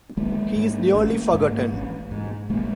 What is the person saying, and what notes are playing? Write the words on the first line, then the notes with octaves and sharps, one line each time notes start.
He is nearly forgotten.
A1 G#3 A#3
G#2
A1
G#2
A1
G#2
A#1 G#3 A#3